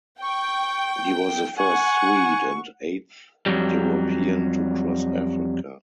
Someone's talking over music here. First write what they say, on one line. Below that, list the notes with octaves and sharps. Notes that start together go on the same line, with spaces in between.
He was the first Swede and eighth European to cross Africa.
G5 C#6
F#5 G#5 C#6
F2 F#3 G3